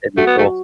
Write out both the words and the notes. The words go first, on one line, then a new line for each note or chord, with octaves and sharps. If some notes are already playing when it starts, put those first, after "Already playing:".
that'd be cool.
A3 F#4
B3
A3